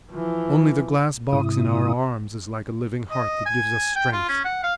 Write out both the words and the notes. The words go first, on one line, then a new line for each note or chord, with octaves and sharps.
Only the glass box in our arms is like a living heart that gives us strength.
E3 F3
G#2 C3 E4 D#6
D#5
G#5
G5
F4
C#4
F#5
F5